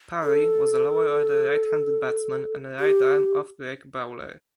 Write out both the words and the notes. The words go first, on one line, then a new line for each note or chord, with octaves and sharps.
Parry was a lower-order right-handed batsman and a right-arm off-break bowler.
A4
G4